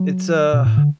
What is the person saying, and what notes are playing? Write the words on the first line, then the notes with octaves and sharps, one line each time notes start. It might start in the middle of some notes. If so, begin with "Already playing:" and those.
It's a
Already playing: F#3
B2
A2
D3